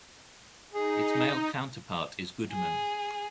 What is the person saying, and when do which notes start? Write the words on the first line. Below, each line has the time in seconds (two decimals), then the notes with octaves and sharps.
Its male counterpart is Goodman.
0.73 D#4 G#4
2.52 G#4